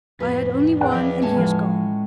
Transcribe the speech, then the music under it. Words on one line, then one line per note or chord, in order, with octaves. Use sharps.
I had only one, and he has gone.
F2 A2 B4
E2 D4 F4 F#5
F3 E4 D5 D#5 F5
A2 G#3 C#4 A5
F3